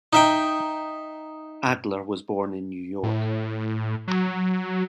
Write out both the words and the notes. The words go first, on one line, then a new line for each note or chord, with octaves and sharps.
Adler was born in New York.
D#4 E5 G5
A2
F#3